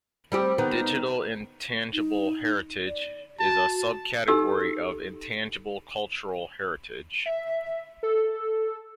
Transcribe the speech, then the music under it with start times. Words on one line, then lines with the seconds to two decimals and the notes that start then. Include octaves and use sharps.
Digital intangible heritage is a sub-category of Intangible Cultural Heritage.
0.32 G3 C4 G4
0.58 D#3 B3
1.93 D#4
2.87 D5
3.40 F#4 A5
4.28 D#4 G4 A4 E6
7.26 E5
8.03 A4